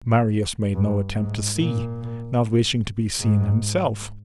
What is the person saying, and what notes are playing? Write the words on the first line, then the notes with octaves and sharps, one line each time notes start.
Marius made no attempt to see, not wishing to be seen himself.
G2
G#2
A#2
G#2